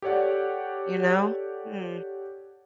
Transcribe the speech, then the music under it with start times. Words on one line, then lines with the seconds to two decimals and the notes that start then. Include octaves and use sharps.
you know? Mm.
0.02 G4 A4 C#5 D5 F#5